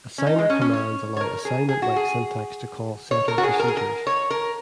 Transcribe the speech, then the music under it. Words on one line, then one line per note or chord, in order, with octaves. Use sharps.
Assigner commands allow assignment-like syntax to call "setter" procedures.
C#4
D#4
G#3
C#4
C#4
C#5
C#5
A#4
G#4
G#4
F#4
G#4
C#5
A#4
F#4
G#4
A#4
G#4
A#4
C#5
A#4